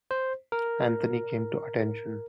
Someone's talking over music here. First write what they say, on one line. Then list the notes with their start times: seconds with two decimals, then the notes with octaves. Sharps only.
Anthony came to attention.
0.11 C5
0.52 A#4